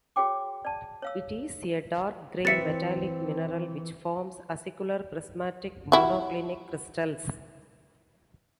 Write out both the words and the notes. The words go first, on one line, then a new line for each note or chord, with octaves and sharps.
It is a dark grey metallic mineral which forms acicular prismatic monoclinic crystals.
F#4 G#4 C#5 G5 D6
D5 A5
C#5 F5 E6
E3 C4 B4 E5 A6 C#7
G3 E4 F#4